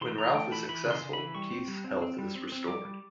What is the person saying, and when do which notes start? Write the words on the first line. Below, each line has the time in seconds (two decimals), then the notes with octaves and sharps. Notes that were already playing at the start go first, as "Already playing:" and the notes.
When Ralph is successful, Keith's health is restored.
0.01 E3 C6
0.18 E3 A#5
0.35 A3 G5
0.51 E3 B5
0.69 E3 B5
0.86 C#3
0.91 C6
1.02 C#3
1.13 E3 B5
1.35 G3 C#6
1.51 C4
1.68 G3
1.84 C4
2.02 C4
2.19 G3
2.35 C4
2.52 C4
2.68 G3 D6
2.85 G3